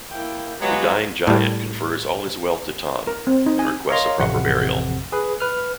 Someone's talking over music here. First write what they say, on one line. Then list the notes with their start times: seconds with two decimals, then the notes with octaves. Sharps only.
The dying giant confers all his wealth to Tom and requests a proper burial.
0.12 A#3 E4 G5
0.60 F#3 G#3 B3 F4 G4
1.27 A2 G3
3.07 A#4
3.27 C4
3.46 D#4
3.59 G#5
3.89 A#4 C#5 D#5 F5 A#5 C6
4.19 A1 F2 C3 F#5
5.12 G#4 B4
5.40 B4 F6